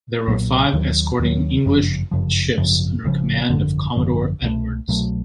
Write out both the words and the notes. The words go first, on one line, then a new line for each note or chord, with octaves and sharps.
There were five escorting English ships under command of Commodore Edwards.
B1 A#2 F#3 A#3
D#2 D#3 F#3
D#2 D#3 F#3
G1 F#2 C#3 F3
G1 F#2 C#3 F3
G#1 F#2 C#3 F3
G#1 F#2 C#3 F3
G#1 F#2 D3 F3
G#1 F#2 D3 F3
C2 B2 F#3 A3
C2 B2 F#3 A3